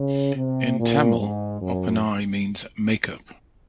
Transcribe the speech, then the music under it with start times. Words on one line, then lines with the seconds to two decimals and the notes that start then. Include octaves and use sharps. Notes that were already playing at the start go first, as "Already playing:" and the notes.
In Tamil, 'Oppanai' means make up.
Already playing: C#3
0.36 C3
0.77 A#2
1.19 G#2
1.61 F#2